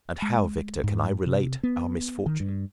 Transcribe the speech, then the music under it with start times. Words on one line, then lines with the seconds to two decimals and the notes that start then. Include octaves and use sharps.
And how, Victor, can I relate our misfortune?
0.22 G#3
0.84 G#2
1.26 C3
1.63 B3
2.26 D#3
2.40 G2